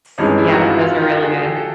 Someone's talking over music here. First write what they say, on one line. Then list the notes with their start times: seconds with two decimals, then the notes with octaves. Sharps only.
Ts Yes. Those are really good.
0.18 G#1 G2 E3 G#3 C#4 D#4
0.38 E4
0.52 F#4
0.60 D#4 F4
0.81 D#4 F4
1.02 F4 G4
1.22 F#4 G#4
1.38 G#4
1.43 G4 A4
1.56 A4